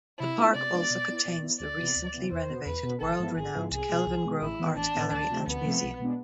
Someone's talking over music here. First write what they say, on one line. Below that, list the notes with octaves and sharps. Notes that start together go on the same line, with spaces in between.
The park also contains the recently renovated world-renowned Kelvingrove Art Gallery and Museum.
C3 E4
G#3 B3 D4 F4
C3 D5
G#3 B3 D4 F4
B2
B3 E4
B2
B3 E4
D2 D5
C3 E3 B3
D2
C3 E3 B3
E2 C5
B2 B3
E2 B4
B2 B3
G#1 A4
G#2 F3 B3 E4
G#1 G#4
G#2 F3 B3 E4
C2 G#4
B2 G#3
C2
B2 G#3
A1 E4
A2 E3 B3
A1 D4
A2 E3 B3
D2 D4
C3 F3 A3 C4
D2 B3
C3 F3 A3 C4
B1
B2 G#3 B3 D4